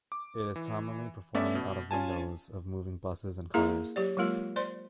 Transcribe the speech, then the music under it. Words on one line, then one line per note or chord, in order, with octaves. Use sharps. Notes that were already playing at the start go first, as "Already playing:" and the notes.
It is commonly performed out of windows of moving buses and cars.
D6
E3
A3 B3 C#4 D5 E5
B2
C#4 F4 G#5 A5
A#3 E4 G#4 A#4 E5 A#5
F#3 G4 D5
F#3 G#3 A#3 F4 A#4
C5 D5 C6